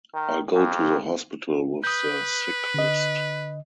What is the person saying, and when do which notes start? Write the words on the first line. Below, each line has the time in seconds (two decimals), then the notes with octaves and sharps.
I'll go to the hospital with the sick-list.
0.14 D#3
0.54 F2
1.84 B4 D#6 G6
2.74 D3 D#5